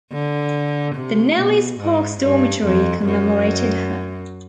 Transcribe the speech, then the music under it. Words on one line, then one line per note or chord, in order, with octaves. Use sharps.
The Nellie Sparks Dormitory commemorated her.
D3
C3
B2
G#2
G2
F2
F#2